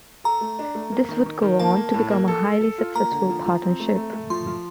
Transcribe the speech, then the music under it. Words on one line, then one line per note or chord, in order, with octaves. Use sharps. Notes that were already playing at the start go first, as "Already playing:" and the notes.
This would go on to become a highly successful partnership.
A4 A#5
A3
D4
A3
A#3
D#3
D#3
D#3
A#3 A5
A#3
A2
A#3
A4
A4
A4
F4
A#3 A#5
D3
F3
F3
C4
A3
A3
A3
F3 C6
F3